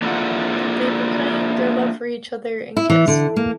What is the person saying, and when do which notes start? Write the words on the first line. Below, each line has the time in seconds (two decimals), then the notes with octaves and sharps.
They proclaim their love for each other and kiss.
0.02 A#3 D4 E4 F4 A4 F#5
2.77 E4
2.90 E3
3.08 D3
3.36 A#3